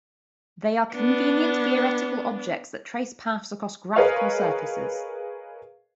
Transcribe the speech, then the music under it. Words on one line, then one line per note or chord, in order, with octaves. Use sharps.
They are convenient theoretical objects that trace paths across graphical surfaces.
B3 D4
G#4 A#4 B4 C#5 D#5 F5